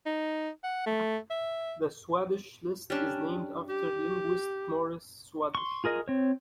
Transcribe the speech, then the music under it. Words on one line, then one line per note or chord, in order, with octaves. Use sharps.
The Swadesh list is named after linguist Morris Swadesh.
D#4
F#5
A3
E5
G3 C#4 D4
G4
C6 C#6
F4 G#4 A#4 D#5
C4 C#5